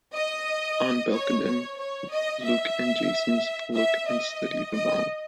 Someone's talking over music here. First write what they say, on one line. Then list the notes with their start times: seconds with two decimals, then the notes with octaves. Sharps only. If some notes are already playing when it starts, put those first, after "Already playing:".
On Belkaden, Luke and Jacen's look and study the Vong.
0.14 D#5
1.13 C#5
1.45 C#5
1.78 C#5
2.10 D#5
2.43 E5
3.75 E5
4.08 D#5
4.73 D#5